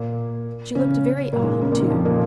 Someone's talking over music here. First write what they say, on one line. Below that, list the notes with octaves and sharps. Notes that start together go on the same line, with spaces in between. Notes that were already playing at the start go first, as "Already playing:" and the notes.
She looked very odd, too.
Already playing: A#2 A#3
C#3 C#4
A#2 A#3
G#2 G#3
C#3 C#4
A#2 A#3
D#3
F2 F3
A#2 A#3